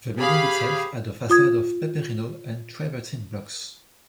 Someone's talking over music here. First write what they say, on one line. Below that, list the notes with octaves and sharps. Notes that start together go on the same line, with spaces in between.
The building itself had a facade of peperino and travertine blocks.
G4 G#4 F5 B5
F4 D#6 G#6